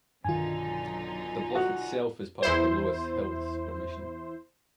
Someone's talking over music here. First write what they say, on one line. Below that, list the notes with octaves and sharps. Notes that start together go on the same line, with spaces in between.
The bluff itself is part of the Loess Hills formation.
B1 G2 D3 D#3 D#4 F4 G#5
F#4
E2 E4 C5